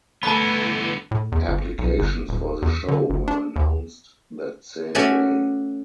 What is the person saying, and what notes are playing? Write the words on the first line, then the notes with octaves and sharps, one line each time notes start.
Applications for the show were announced that same day.
D3 E3 A3 B3 A5 B5
A2
E2
G1
B1
G1
D#1
E2
D3
G1
D4
D#2
A3 C#4 F#4 D5 E5 G#5